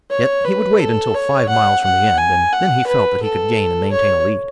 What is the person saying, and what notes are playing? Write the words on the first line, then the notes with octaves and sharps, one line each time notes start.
Yet he would wait until five miles from the end, and then he felt that he could gain and maintain a lead.
C#5
B4
A4
C#5
F#5
F#5
G#5
F#5
B4
A4
C#5